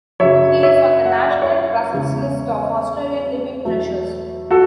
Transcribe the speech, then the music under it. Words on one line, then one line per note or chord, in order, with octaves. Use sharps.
He is on the National Trust's list of Australian Living Treasures.
F#2 C#3 F#3 C#5 E5
C#5 E5
F#5
E5
D5
C#5 E5
E2 C#3 G#3
E2 B2 F#3 A3
F#4 A4